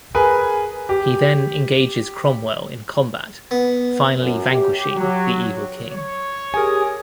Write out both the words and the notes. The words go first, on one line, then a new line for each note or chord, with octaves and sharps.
He then engages Cromwell in combat, finally vanquishing the evil king.
G#4 A#4 B4 G#5
G4
B3
F#2
G4
F#3
C#5
G4 G#4 A#4 G#5 D#6